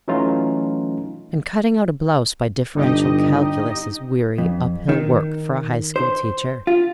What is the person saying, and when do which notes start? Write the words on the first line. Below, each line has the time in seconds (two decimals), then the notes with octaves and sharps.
And cutting out a blouse by differential calculus is weary, uphill work for a high-school teacher.
0.08 E3 F#3 A3 C#4 D#4 F4
2.75 G1 D4 D#4 G4 D#5
4.38 F2
4.89 D#3
5.96 C5
6.67 F4